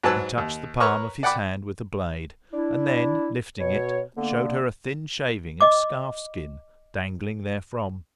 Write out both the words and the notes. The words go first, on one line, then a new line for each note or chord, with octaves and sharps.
He touched the palm of his hand with the blade, and then, lifting it, showed her a thin shaving of scarf-skin dangling therefrom.
G#2 F#3 B4 G#5 A5 E6
D#2
A#4 B4 C#5 C#6 E6
D5 F#5 G5 B5 D6
D4 E4
B2 C#5
D3 A#3 B3
D#5 D6